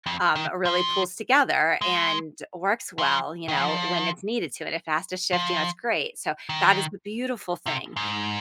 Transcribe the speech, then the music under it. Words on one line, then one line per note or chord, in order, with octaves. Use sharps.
um, really pulls together and works well, you know, when it's needed to, in a faster to shift, you know, it's great. So that is the beautiful thing,
F2
D#3
F3
G#3
F3
D#3
F3
F3
D#3
C3
G#2